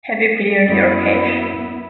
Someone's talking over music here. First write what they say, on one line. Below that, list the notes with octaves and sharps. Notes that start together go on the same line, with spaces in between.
Have you cleared your cache?
F#2 B3 E4